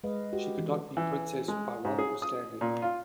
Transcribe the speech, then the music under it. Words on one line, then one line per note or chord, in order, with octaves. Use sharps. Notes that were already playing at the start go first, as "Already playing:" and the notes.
She could not be princess by wealth or standing.
G#3 B4 D#5 F5
F#4 G4
E3
E3
G#3
G#2
G#4
D#6
A#2
F4